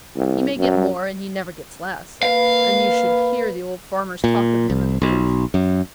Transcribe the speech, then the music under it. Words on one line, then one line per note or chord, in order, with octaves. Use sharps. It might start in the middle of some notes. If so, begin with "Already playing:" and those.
He may get more, and he never gets less; and you should hear the old farmers talk of him in the booth.
C2
F#2
A#3 B4 F5
A#2
C2
B1
F#2